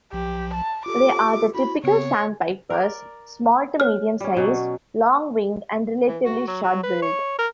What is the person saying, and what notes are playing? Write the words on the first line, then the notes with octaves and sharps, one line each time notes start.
They are the typical "sandpipers", small to medium-sized, long-winged and relatively short-billed.
B1 F3 G4
A5
F4 G4 A4 D6
E4 F#4 B5
C#3 B3 C4 C#5
A#4 D5
C#5 F6
G3 C#4
B2 F#3 C#4
E3
F#4
F#3
F#3
B4
C#5
A#4